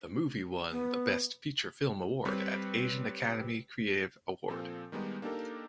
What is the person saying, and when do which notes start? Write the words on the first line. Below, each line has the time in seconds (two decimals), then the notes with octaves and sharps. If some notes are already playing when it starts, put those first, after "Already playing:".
The movie won the Best Feature Film Award at Asian Academy Creative Award.
0.71 B3
2.25 G3 C4 B4 C#5
4.49 A#2 F3 C4 A4
4.92 D#3 G3 G#3 B3 D#4 G4
5.22 A#3 D4 D#4 G4 A4 A#4